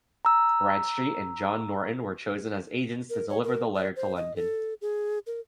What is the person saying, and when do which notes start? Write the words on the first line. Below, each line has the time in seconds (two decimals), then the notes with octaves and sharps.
Bradstreet and John Norton were chosen as agents to deliver the letter to London.
0.25 A#5 E6
3.10 A#4
3.29 C#5
3.43 A#4
3.74 D5
3.96 C5
4.16 D#5
4.36 A4
4.81 G#4
5.27 A#4